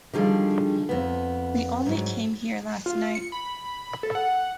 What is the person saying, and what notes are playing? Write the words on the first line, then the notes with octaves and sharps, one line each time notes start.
We only came here last night.
D3 D#3 F3 G3 G#4
F2 B3
G#2 F#3
F4
C#7
B5
A4
F#5